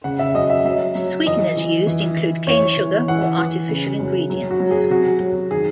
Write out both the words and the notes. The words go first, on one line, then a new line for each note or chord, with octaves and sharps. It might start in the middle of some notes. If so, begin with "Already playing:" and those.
Sweeteners used include cane sugar or artificial ingredients.
C#3 F#5
E5
F#2 D#5
E5
F#3 E5
F#3
E3 D#5
E3
E3
E3
E3 C#5
E3
E3 F#5
E3
C#3
F#2
F#3
F#4
F#3
G#4
C3 F#4
F#3
D#3 G#4